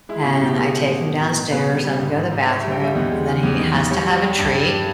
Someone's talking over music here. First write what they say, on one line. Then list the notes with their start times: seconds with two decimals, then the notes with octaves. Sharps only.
and I take him downstairs, let him go to the bathroom, and then he has to have a treat,
0.09 G#3 E4
0.21 G4
0.25 B2
0.33 E4
0.42 B2 G4
0.57 G#3 A#4
0.73 G#3
0.88 B2
1.04 B2
1.21 B2
1.37 B2
1.52 B2 B4
1.68 G3
1.85 G3
2.00 G#2
2.16 G#2
2.32 G#2
2.47 G#2 C#5
2.59 E5
2.64 G3
2.72 G5
2.80 G3 E5
2.95 E2 D#5
3.11 G#3
3.27 D#3
3.43 E2
3.59 D#3
3.74 E2
3.90 G3 C#5
4.07 G3
4.22 G3
4.38 G2
4.54 G3